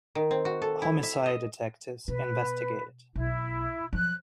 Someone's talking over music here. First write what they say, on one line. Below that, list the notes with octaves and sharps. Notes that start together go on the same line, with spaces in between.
Homicide detectives investigated.
D#3
C4
F#4
A4
E4
E5
D#5
B2 B4
B1 E4
F3 F#3 F#6